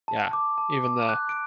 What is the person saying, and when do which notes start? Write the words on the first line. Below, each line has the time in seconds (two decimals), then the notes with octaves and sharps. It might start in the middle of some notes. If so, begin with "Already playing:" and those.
yeah, even the,
0.08 A5
0.33 D6
0.58 A5
0.84 D6
1.09 F#6
1.29 D7